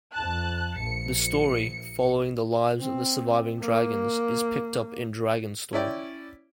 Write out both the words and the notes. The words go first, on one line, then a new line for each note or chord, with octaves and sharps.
The story, following the lives of the surviving dragons, is picked up in Dragonstorm.
F2 A5 F#6
A#1 C#7
C4
A#3
C#4 E4 D5 G5